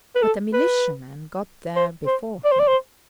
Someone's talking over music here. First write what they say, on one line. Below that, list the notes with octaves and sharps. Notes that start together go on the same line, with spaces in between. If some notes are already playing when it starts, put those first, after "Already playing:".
But a militiaman got there before him.
B4
A4
B4
C5
C5
D5
C5
D5
C5